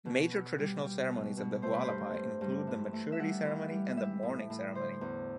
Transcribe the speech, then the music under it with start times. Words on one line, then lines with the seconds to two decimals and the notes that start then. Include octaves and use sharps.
Major traditional ceremonies of the Hualapai include the "Maturity" ceremony and the "Mourning" ceremony.
0.06 B2
0.32 B3
0.58 G3
0.84 G3
1.11 B2
1.37 B2
1.62 A3 C5
1.73 B4
1.83 C5
1.89 G2
2.14 G2
2.41 G2
2.67 E3
2.93 A3
3.12 E5
3.19 G3 F#5
3.45 E3
3.71 G3
3.97 G3 E5
4.23 A2
4.50 A2
4.75 D3 C5
5.01 E2